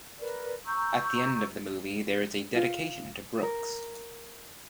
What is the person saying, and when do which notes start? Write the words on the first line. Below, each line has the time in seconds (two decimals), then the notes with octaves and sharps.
At the end of the movie there is a dedication to Brooks.
0.20 A#4 B4 D5
0.66 A#5 C#6 E6 G6
2.55 F4
3.43 A#4